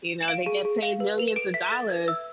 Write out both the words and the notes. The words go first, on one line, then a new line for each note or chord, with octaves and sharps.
you know, they get paid millions of dollars
E7
F5 D7
G#4
G#4
F5
B4
B4 F7
E7
A4 D7
E5 B6
A4 A6
B4 G#6
E5 E6